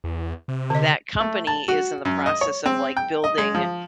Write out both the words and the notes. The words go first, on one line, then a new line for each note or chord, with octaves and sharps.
That company is in the process of, like, building
E2
C3
D3 D#5
A3
A5
F#4
F#2
D#5
C#5
C4
G5
D#5
G#3
F3